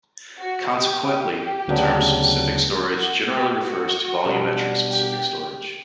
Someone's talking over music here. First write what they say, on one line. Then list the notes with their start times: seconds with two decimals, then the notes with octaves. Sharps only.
Consequently, the term specific storage generally refers to volumetric specific storage.
0.40 F#4
0.72 G4
1.04 G4
1.68 D2 C#3 F#3 B3 D4
2.97 F#4
3.29 G4
3.61 F#4
4.25 B2 G3 B3 D4
4.89 G4